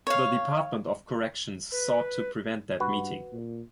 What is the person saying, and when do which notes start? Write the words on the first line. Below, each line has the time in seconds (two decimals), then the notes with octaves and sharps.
The Department of Corrections sought to prevent that meeting.
0.07 C#5 F5
1.72 B4
2.80 G2 F#4 B4
3.32 A#2